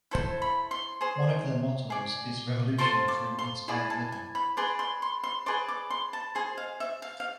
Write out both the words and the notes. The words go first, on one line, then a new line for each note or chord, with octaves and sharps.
One of their mottos is Revolution through inspired living.
E4 A4 C5
B5
C6
G#4 C5
G#4 D5
F4 A4 C5 C6
D6
C6
E4 G#4 D5 B5
A5
G#5
B5
G#4 B4 D5 C6
C6
C6
C6
G#4 B4 D5 C6
D6
C6
A5
G#4 C5 G#5
F5
E5
F5
F5